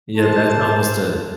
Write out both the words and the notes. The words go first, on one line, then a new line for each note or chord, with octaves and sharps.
Yeah, that's almost a
G4 A#4 C5 A5